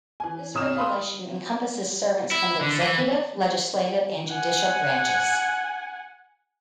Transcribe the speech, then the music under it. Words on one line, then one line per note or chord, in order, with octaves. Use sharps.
This regulation encompasses servants from the executive, legislative and judicial branches.
E3 G#5
C2 C#5 D#6 F6 E7
F5 B5 C6 D#6
E4
D3
E3
F#5 G#5